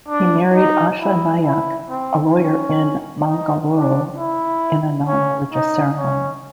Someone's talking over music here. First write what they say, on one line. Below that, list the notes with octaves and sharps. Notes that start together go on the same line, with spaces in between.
He married Asha Nayak, a lawyer in Mangaluru in a non-religious ceremony.
D4
D#4
E4
E4
C4
C#4
D#4
D4
E4
C#4
D#4
C#4